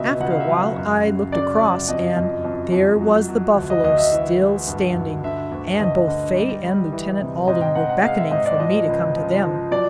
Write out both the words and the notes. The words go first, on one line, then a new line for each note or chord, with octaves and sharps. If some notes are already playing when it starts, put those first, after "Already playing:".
After a while I looked across, and there was the buffalo still standing, and both Faye and Lieutenant Alden were beckoning for me to come to them.
Already playing: C#2 B2 D#5 E5
C#2 F#5
F5
E5
F#3 F5
F#2
C#3
C#3 D5
F#2
F2 D#5
F2
F2
F2
F#3
F#3
D2
D#5
D2 D#5
E5
E3 E5
G#3
G2
G2
D3 E5
D2
D2 D#5
D3
G3
G3
E3
C3
G#2 D#5
G5
G#2 F#5
F#5
G#3 F5
E5
G#2 D#5
D5
F3 D#5
C#2
F3
F3
F#3 D5